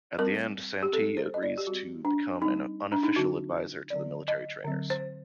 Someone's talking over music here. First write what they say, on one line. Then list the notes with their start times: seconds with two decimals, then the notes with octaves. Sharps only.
At the end, Santee agrees to become an unofficial advisor to the military trainers.
0.18 G3 C4 A#4
0.83 G4
0.93 C4 A4
0.97 G3
1.17 C5
1.34 D#5
1.43 D5
1.58 G4
1.67 G3 C4 F#4
2.05 D4
2.41 G3 C4 D#4
2.92 D4
3.03 D#4
3.16 D3 F#3 C4 F#4
3.90 D3 F#3 C4 D5
4.28 D#5
4.65 D3 F#3 C4
4.90 C5